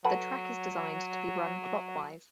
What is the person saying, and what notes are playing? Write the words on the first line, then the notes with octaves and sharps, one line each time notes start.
The track is designed to be run clockwise.
F#3 A4 B4 F#5